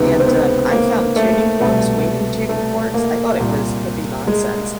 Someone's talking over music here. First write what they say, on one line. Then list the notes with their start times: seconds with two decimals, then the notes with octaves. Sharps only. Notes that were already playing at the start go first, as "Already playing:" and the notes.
And, um, I found tuning forks, weighting tuning forks, I thought it was hippie nonsense,
Already playing: C#2 C3 D#3 B3
0.20 C4
0.27 B3
0.71 A#3
1.16 A3
1.60 C2 B2 A3
2.49 A3
2.94 A#3
3.39 C2 A#2
4.27 G#3